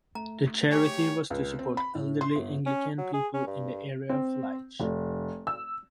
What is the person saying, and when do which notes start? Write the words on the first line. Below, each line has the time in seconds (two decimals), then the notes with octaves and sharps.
The charity was to support elderly Anglican people in the area of Leigh.
0.15 A3 A#5
0.72 G#2 C3 G4 C#5 G#5 C#6 D6
1.30 C#2
1.59 C4
1.77 B5
1.95 A2
2.21 C6
2.35 G1
2.66 C#4
2.98 F#3
3.13 G#4
3.34 C#4
3.47 G2
4.09 C4
4.80 F1
5.47 E6